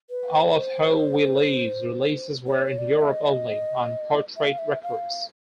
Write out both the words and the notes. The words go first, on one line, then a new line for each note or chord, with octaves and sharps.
All of How We Live's releases were in Europe only, on Portrait Records.
B4
C5
B4
C5
C#5
D5
E5
D#5
E5
F5
E5
F5